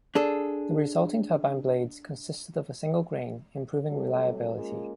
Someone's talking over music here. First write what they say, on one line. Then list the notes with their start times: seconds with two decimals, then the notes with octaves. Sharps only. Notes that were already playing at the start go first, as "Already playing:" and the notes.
The resulting turbine blades consisted of a single grain, improving reliability.
0.15 D4 G#4 A4
3.87 C3 F#3 G3 A3 A4
4.55 G#3 A#3 C#4 F4 G#4